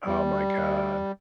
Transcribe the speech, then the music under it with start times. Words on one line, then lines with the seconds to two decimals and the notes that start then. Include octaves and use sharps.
Oh my god.
0.06 G3